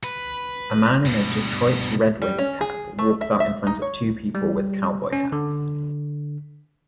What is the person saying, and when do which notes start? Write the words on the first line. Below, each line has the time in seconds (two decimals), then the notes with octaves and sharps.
A man in a Detroit Red Wings cap walks in front of two people with cowboy hats.
0.04 B4
1.05 G2 B2
2.22 G3
2.39 C#4
2.61 G#4
2.99 A3
3.21 E5
3.40 E5
3.67 D#4
3.82 C#5
4.35 G3
5.13 C#4
5.32 D3